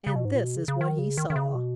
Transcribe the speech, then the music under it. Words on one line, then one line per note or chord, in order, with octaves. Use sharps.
And this is what he saw.
C#3
B2
G#2
A#2
B2
C#3
C#3
D#3
C#3
D#3
D#3
C#3
B2